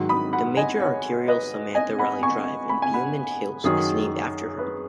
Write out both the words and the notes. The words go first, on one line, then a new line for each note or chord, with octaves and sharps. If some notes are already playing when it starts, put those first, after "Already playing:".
The major arterial Samantha Riley Drive in Beaumont Hills is named after her.
Already playing: G#2 D#3 F#3
B5 D#6
F#5 B5
D#5 G#5
C#5 F#5
B4 D#5
D#5 G#5
F#5 B5
G#5 C#6
B5
G#5
F#5 B5
F#2 D#3 F#3 G#4
B4